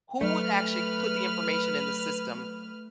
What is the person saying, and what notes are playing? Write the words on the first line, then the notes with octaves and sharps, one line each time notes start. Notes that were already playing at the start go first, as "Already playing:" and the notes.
Who would actually put the information in the system,
F#3 A3 B4 F6